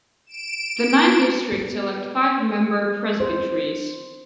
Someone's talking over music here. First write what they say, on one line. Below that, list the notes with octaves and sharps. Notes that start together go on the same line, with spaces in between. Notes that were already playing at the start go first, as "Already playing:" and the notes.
The nine districts elect five member presbyteries.
D7 E7
B3
C5